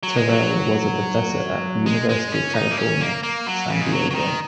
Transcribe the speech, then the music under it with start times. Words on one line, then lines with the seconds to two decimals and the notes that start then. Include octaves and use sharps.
Terrell was a professor at the University of California, San Diego.
0.03 F#3
0.16 G#3
0.29 F#3
1.86 G#3
2.09 G#3
2.32 C#4
2.55 D#4
2.71 A#3
2.78 C#4
3.01 A#3
3.23 A#3
3.47 F#3
3.70 C#3
3.82 G#3
3.92 F#3
4.11 F#3
4.15 D#3